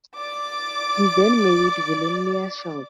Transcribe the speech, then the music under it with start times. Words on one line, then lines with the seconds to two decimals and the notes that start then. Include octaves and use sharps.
He then married Wilhelmina Schulze.
0.16 D5 D6